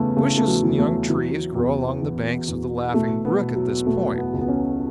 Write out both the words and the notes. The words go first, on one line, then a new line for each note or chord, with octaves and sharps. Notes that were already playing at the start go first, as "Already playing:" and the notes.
Bushes and young trees grow along the banks of the Laughing Brook at this point.
Already playing: E2 C#3 A3 B3 C#4
C#3 A3
A3
F#3
E3
A3
E3 F#3
E2
E3
E2
B2 A3
B3
B2
F#3
B2 A3
B3
C#2
B3
C#4